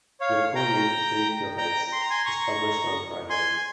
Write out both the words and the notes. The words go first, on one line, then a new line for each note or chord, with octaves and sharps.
Le "Courrier du pays de Retz" is published on Fridays.
C#5 F5
G5 A#5
G5 A#5
C6
A#5
G#5 C6
A#5 C#6
G#5 C6